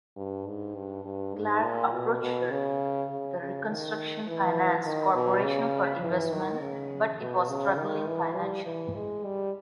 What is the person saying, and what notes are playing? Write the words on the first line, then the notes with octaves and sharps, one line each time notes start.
Clark approached the Reconstruction Finance Corporation for investment, but it was struggling financially.
G2
G#2
G2
G2
G#2
A#2
B2
B2
C#3
C#3
C#3
D#3
E3
D#3
B2
C#3
E3
D#3
C#3
B2
C#3
D#3
E3
G3
E3
G#3
G3